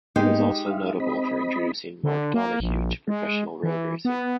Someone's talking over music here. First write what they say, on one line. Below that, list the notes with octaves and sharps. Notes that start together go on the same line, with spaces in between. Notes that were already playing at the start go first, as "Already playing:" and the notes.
He also was notable for introducing Mark Donohue to professional road racing.
G#2 G#3 A#3 B3 D#4 G4
E5 F5
C4 D#5 B5
D3
A#3
A#1
G#3
E3
B3